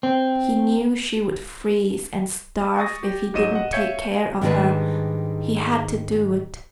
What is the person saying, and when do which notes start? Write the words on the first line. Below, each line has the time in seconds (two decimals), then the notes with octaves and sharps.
He knew she would freeze and starve if he didn't take care of her; he HAD to do it.
0.03 C4
2.77 C#6 D#6 A6 A#6
3.03 G4
3.34 G#2 F#3 D#5 D#7 E7
3.53 D#5 F#5
3.73 C#5 E5 F5 G6 G#6 C#7
4.41 G#2 D#3 G3 D4 G#4 B4